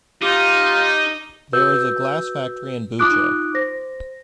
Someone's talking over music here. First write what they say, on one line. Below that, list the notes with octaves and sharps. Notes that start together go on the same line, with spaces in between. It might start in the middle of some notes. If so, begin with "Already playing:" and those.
There is a glass factory in Bucha.
D#4 F4 G4
F#4 B4 E6 G6
D#4 F4 D6 D#6 F#6 D7
C5 A#6